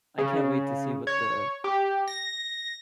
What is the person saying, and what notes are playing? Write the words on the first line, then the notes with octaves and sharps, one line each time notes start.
I can't wait to see what the
C#3
C#5
G4
A#6